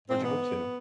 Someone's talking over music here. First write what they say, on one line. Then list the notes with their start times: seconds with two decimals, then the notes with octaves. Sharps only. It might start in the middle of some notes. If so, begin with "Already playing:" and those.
Where'd you move to?
0.08 G#2 E3 G#3 C4
0.24 B3